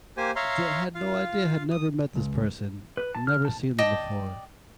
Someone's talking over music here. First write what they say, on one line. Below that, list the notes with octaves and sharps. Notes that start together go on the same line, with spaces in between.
Eh d had no idea, had never met this person, never seen them before.
A#3 G4 C5 G#5
C#5 E5 F5 A#5 C6
F4 F5
D#6
C#2
B4
A5
F6
A5
D5 D#5 G5 A5